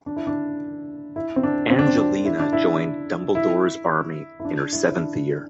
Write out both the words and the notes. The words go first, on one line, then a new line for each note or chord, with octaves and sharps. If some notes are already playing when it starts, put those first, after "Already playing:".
Angelina joined Dumbledore's Army in her seventh year.
D4
E4
D4
E4
C4
D4
C4
D4
C4
D4
E4
D4
E4
E4
E4
D4
E4
E4
D4